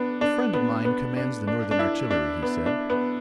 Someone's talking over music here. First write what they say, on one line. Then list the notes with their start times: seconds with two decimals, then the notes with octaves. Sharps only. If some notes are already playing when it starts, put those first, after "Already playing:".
"A friend of mine commands the Northern artillery," he said.
Already playing: B3 D4
0.21 D4
0.53 B3
0.85 B3
1.17 D4
1.47 D4
1.71 D4
1.79 E4
2.11 D4
2.42 B3
2.66 D4
2.90 B3